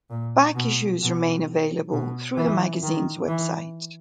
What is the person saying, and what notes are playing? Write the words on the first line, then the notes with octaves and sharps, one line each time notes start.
Back issues remain available through the magazine's website.
A#2
B2
B2
B2
E3
D#3
E3